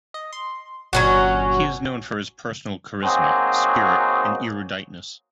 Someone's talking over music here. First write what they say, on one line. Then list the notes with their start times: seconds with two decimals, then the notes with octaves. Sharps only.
He is known for his personal charisma, spirit and eruditeness.
0.14 D#5
0.33 C6
0.93 G1 A#2 F#3 C#4 F#4
3.03 F#3 A#3 C4 D#4 F#4 G#4